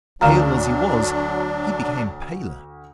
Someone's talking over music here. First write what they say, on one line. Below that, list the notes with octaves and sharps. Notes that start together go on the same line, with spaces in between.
Pale as he was, he became paler.
D2 D3 F#3 D4 F5 A#5 F6 E7